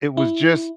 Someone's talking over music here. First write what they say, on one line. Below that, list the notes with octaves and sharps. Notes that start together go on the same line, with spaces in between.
it was just
E4